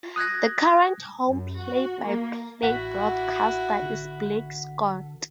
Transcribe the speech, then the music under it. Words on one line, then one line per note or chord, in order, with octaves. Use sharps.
The current home play-by-play broadcaster is Blake Scott.
D#6 F#6 G#6 A#6
F#2
F#4
A#3
A1 E4 F#4 F#5 B6
D3